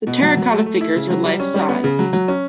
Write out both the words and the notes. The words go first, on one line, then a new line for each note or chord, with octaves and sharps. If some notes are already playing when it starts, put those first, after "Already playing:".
The terracotta figures are life-sized.
B2
F#3
F#3
A3
A3
E4
C#3
F#3
G3
C#4
G3
B3
C#3
F#3
F#3
C#4